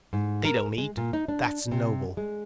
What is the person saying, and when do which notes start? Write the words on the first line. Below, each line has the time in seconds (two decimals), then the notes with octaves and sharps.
They don't eat; that's noble.
0.13 G#2
0.45 A#4
0.78 G#3
0.97 A#2
1.13 D#4
1.28 D4
1.71 C3
2.17 G#3